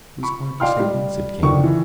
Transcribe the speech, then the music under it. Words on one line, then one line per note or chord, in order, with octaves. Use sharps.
"It was hard to say whence it came."
B5 C#6
D5 D#5 F5 G5 C6 F6
G3
F#1 D3 D#3 D4 C#6
E3